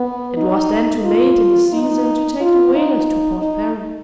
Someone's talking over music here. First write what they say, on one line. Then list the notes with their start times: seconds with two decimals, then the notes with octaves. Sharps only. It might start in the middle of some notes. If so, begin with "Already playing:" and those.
It was then too late in the season to take the whalers to Port Fairy.
Already playing: B3
0.38 D#4
1.05 F4
1.73 D#4
2.41 F4
2.75 D#4
3.42 D#4